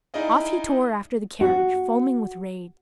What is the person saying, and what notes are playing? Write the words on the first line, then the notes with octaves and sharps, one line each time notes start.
Off he tore after the carriage, foaming with rage.
D#4 E4 G#4 D5 D#5 F5
F#4